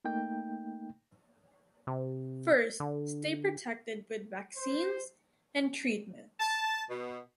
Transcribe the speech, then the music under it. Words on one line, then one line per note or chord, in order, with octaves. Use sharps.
First, stay protected with vaccines and treatments.
A3 A#3 D#4 G5 G6
C3
D3
C5
A5
B2